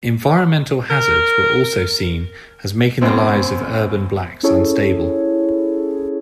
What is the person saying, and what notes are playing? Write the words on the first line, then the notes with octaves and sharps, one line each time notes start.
Environmental hazards were also seen as making the lives of urban blacks unstable.
A#4
F#2 B2 C4
C#4 E4 G#4 A4 C#5